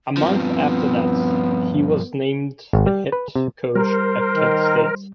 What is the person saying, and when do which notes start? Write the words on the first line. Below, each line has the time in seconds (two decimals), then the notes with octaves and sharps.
A month after that, he was named the head coach at Kent State.
0.17 G2 F3 B3 C4
2.73 G#1
2.86 G3
3.12 B4
3.35 C3
3.75 G3 A#4 C5
4.35 D#3